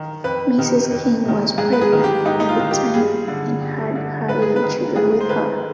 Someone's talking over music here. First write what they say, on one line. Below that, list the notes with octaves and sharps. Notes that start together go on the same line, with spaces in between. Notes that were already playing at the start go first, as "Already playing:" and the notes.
Mrs. King was pregnant at the time and had her young children with her.
Already playing: D#3
F2 B4
C3 D#3
F2
C3 D#3
G#2 G#4
B4
G#4
D#3
G4
G#2 D#4
D#4
F4
D#3
G4
G2 G#4
D3
G2
D3
G#2 B4
G#4
B4
D#3
G#2 G#4
C5
D#3 B4